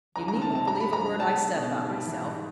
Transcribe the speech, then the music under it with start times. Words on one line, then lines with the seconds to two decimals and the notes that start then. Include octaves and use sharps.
You needn't believe a word I said about myself.
0.16 C#2 A#5
0.28 A#5
0.33 D#3
0.42 A5
0.50 C3
0.55 A5
0.68 G2 A#5
0.80 F3 B5
0.93 A#5
1.02 D3
1.20 B1 A5
1.37 G#3
1.55 B2
1.72 G#2
1.90 G3
2.07 E3
2.24 G#2